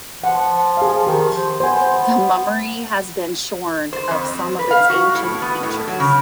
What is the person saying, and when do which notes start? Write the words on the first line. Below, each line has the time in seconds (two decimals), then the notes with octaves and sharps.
The mummery has been shorn of some of its ancient features.
0.24 F3 F#5
0.77 G#4 F5
1.07 D#3 G4
1.36 C5
1.60 B3 C5 G#5
3.93 C5
4.11 F2
4.24 C4
4.59 B4
4.71 F5
4.90 F#4
5.15 A2
5.42 B3
5.63 A2
5.88 F#3
6.00 C#3